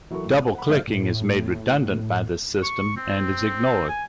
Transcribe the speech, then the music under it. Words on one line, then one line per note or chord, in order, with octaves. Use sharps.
Double-clicking is made redundant by this system and is ignored.
E3 F#3 F#4 A4 A#4 C#6
A2
C5
F#5 B5
F#1 G#2 E5 F5 F6 G6
A2
C#6
C4
G#5